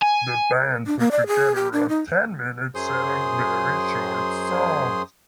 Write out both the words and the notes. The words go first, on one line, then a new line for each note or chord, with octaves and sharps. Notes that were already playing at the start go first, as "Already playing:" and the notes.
The band put together a ten-minute set of very short songs.
G#5
D4
A#3
D5
G#4
G4
D4
D#4
F#2 F#3 G#4 C5 C6 D#6